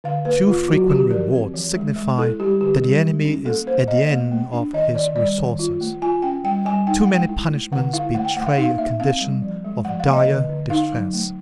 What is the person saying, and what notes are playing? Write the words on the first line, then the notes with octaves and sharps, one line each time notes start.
Too frequent rewards signify that the enemy is at the end of his resources; too many punishments betray a condition of dire distress.
D3 F5
A#3 B4
A#3 F4
F#3 F#4
D3 G4
F3 A#4
C4
E3
G#3
G#3
E4 A4
G3 G4
D3 G4
G3
G#3
C#4
A#3 A4
A#3 C5
A#3 D#5
A#3
A3
D4
D#3 D#5
D#3 D5
G3 D5
D#3
F4
A3
F4 G#5
C#4 G5
G3 G5
G3 G#5
D#4 G5
F#5
G#3
G5
E4
A3
D3 F#5
E4 F5
A3 F#5
G5
A3 F#5
F5
D#4 F5
A#3 E5
C4 F5
G3
F3
G#3
F3 F#5
F5
A#3
D#5
D3
D3
D#4 F5
F#3
A3